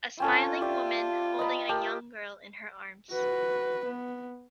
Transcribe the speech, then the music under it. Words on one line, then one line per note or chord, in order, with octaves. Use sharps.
A smiling woman holding a young girl in her arms.
C4 C#4 F4 A4
G4 D5 E5
D#5 A#5 B5
G4 A#4 A5
F#4 B4
B3